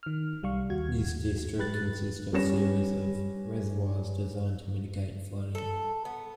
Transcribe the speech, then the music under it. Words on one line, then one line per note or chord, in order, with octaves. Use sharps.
This district consists of a series of reservoirs designed to mitigate flooding.
D#3 F6
C2 G3 F5 C#6
D#2 F#4 G#6
G#2 G4 B4 F#6 A6
G3 C#4 B4 A#6 E7
A4
B3